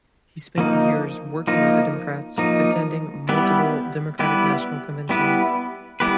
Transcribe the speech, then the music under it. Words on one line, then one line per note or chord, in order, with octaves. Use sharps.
He spent years working with the Democrats attending multiple Democratic National Conventions.
F3 A#3 D#4
F3 A#3 D#4
F3 A#3 D#4
G3 B3 E4 G4 B4
G3 B3 E4 G4 B4
G3 B3 E4 G4 B4
G3 B3 E4 G4 B4